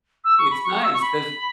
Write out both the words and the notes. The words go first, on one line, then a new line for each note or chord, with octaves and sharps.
it's nice 'cause
E6
C#6
B5
C#6
E6
C#6
B5